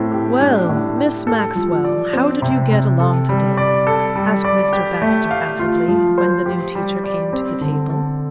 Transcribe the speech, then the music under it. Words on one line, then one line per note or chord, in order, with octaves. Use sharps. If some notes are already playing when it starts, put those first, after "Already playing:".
"Well, Miss Maxwell, how did you get along today?" asked Mr. Baxter affably, when the new teacher came to the table.
Already playing: A2 C4
G4
D4
A2
G4
A4
F3
D5
C4
C3
C3
A4
G3
D5
A4
G3
D5
G4
A3
F5
F4
F3
C5
G4
G3
D5
C4
D3
A4